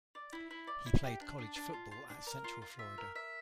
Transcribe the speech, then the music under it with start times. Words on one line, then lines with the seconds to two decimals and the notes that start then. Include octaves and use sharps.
He played college football at Central Florida.
0.15 D5
0.33 E4
0.51 E4
0.67 D5
0.86 E4
1.03 G4
1.21 D4
1.38 D4
1.56 D4
1.73 F4
1.91 F4
2.10 D4
2.27 A#4
2.44 F4
2.62 F4
2.79 E5
2.98 A#4
3.15 E5